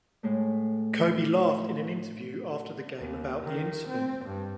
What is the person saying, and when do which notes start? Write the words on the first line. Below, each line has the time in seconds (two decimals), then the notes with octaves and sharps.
Koby laughed in an interview after the game about the incident.
0.23 A2 G#3 A3
2.98 D#2
3.43 D#3
3.88 C4
4.25 G2